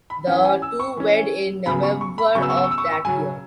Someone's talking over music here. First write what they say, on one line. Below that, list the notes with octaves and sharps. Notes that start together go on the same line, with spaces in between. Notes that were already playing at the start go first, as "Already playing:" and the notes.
The two wed in November of that year.
B5
E3 C#4 F#5
G#5
E6
C#6
E3 C#4
C#3 F#3 B3 B5
C#6
C#6
B5
C#3 F#3 B3 C#6
E6
C#6
E6
C#6
E6
C#6
E6
C#6
C#3 F#3 C#4 G#5